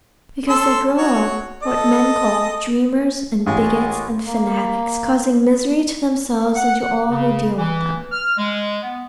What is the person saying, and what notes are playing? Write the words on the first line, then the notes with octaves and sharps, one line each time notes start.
Because they grow up what men call dreamers, and bigots, and fanatics, causing misery to themselves and to all who deal with them.
A4 C6 E6
F#4 C#5
A4 D#5
A1 G#3
A#3
F#5
C#3
E3
F6
G#3
B3